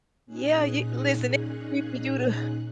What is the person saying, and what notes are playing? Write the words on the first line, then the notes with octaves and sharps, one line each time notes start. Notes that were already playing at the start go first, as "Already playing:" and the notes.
Yeah, you listen, it ain't for you to
A#2 C#4 D#4 G#4 F#6